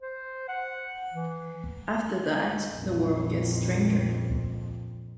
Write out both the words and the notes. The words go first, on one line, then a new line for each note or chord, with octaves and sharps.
After that, the world gets stranger.
C5
F#5
E3
A#1 F2